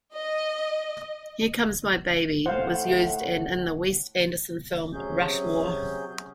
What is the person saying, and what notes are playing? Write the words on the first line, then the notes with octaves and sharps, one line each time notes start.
"Here Comes My Baby" was used in the Wes Anderson film "Rushmore".
D#5
A2 C5 F5 F#5
C3 F#3 C#4 G#4 G6